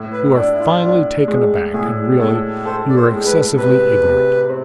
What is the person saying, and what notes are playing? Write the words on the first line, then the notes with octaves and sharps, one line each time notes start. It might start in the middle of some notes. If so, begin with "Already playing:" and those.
You are finely taken aback, and really, you are excessively ignorant.
Already playing: A2
B4
D4 A4
E4
F4
D4
G#3
A2 G#4
A2 A4
A4 C5
D5
C5
G#3
B4
C3 B4
C3
C4